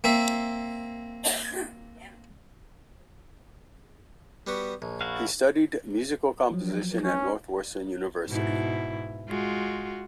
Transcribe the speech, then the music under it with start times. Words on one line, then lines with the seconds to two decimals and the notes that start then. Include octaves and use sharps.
He studied musical composition at Northwestern University.
0.04 A#3 C4 E5
4.47 G3 B3 F#4
4.82 A#1
5.01 E4 F#4 F5
6.51 F3 F#3
7.04 C#4
8.28 G#2 B2 E4
9.29 G#3 F4 F#4